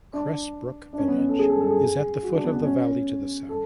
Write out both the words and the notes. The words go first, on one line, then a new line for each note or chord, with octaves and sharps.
Cressbrook village is at the foot of the valley to the south.
D4
D4
C#4
B3
C#4
A4
G#4
A4
A4
G#4
F#4
D4
B3
B3
C#4
A4